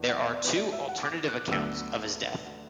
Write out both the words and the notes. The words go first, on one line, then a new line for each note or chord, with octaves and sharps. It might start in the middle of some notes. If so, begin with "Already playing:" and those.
There are two alternative accounts of his death.
Already playing: E2 E3 D4
F#5
E5
D5
B4
D5
E5
F#5
D6
F#6
D2 D3 F#3 B3 D4 E6